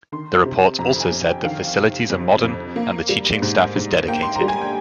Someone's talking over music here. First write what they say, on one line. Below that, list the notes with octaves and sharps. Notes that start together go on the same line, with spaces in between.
The report also said the facilities are modern and the teaching staff is dedicated.
D#3 C6
C3
F2 A#5
G#5
F2
G5
D#3 F5
C3
F2
F2
A#3
G3
G#2
G#2
A#3 G5
C6
A#5
G3
G#5
G5